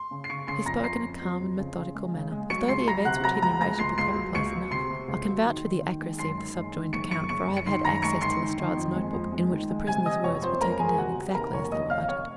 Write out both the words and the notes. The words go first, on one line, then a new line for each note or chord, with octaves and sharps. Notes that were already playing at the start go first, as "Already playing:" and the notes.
He spoke in a calm and methodical manner, as though the events which he narrated were commonplace enough. I can vouch for the accuracy of the subjoined account, for I have had access to Lestrade's note-book, in which the prisoner's words were taken down exactly as they were uttered.
Already playing: C6
C#3
C7
C#3 C#6 C#7
C#3 C6 C7
F2 A#5 A#6
F2 C6 C7
F2
F2
F2
C#3
C#3
G#3
C#3
G#3
F#3 C#6 C#7
C#2 C6 C7
F#3 A#5 A#6
C3 F#5 F#6
F#3 A#5 A#6
C#2 A#5 A#6
C#2 A#5 A#6
C#2 C6 C7
C#2 C6 C7
F#3
C#2 C#6 C#7
F#3
C3 C6 C7
C3
C#2
F#3
D#3
D#3
D#3
G#3
F#2 C6 C7
D#3
G#3
D#3
F#1 C#6 C#7
F#2 C#6 C#7
F#1 C#6 C#7
F#2
C#7
D#3 C6 C7
F#2 A#5 A#6
G#3 C#6 C#7
D#3 C6 C7
D#3
D#3
F2
G#3
F2
G#3
D#3
G#3
C3 G#5 G#6
C3 D#5 D#6
F2 C#5 C#6
F2 C5 C6
G#3 A#4 A#5
F2 G#4 G#5
C3 F#4 F#5
C3
D#2 A#4 A#5
F1 C#5 C#6
D#2 D#5 D#6
F1 F5 F6
F1 C#5 C#6